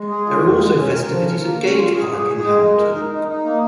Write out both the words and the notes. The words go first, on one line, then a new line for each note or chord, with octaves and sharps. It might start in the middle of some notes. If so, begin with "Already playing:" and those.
There are also festivities at Gage Park in Hamilton.
Already playing: G#3
G#4
F4
F2
G#3
C#4
A#4
F3
A#4
A#3
C#4
F4
G#4
G#4
G#4
G#3
G#3
A#4
D#4
D#4
D#4
A#3